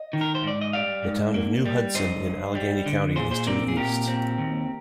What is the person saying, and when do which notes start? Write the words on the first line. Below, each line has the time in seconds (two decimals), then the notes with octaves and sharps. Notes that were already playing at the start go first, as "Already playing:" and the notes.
The town of New Hudson in Allegany County is to the east.
Already playing: D#5
0.13 D#3
0.21 A#4
0.35 C5
0.43 G#2 D5
0.61 D#5
0.73 G3 D5 F5
1.04 G#2
1.34 A#3
1.66 G3
1.94 G2 C5 D#5
2.26 G2
2.55 G3
2.86 D3
3.16 A#2 G#4 C5
3.31 G#4 C5
3.47 C4 A#4 D5
3.68 G#4
3.77 A#2 G4 A#4
4.08 C4
4.38 D#2